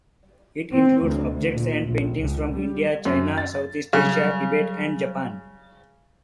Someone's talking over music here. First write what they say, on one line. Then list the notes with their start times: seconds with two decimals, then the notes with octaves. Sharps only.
It includes objects and paintings from India, China, Southeast Asia, Tibet and Japan.
0.75 C4
1.07 D2
1.53 A#2
1.86 A#1
2.19 C#2
2.52 G3
3.05 F#2
3.38 A6
3.93 C#3 F#3 G3